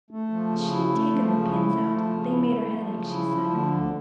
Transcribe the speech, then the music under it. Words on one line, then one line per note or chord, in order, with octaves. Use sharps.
She had taken the pins out--they made her head ache, she said.
A3
F3
C#3
E4
A3
F3
C#3
E4
A3
F3
C#3
E4
A3
F3
C#3
E4
F3
D3
D2